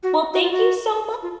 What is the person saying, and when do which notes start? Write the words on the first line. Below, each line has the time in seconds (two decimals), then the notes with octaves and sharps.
Well, thank you so
0.03 F#4
0.33 F#4
0.43 F4
0.52 F#4
1.23 F4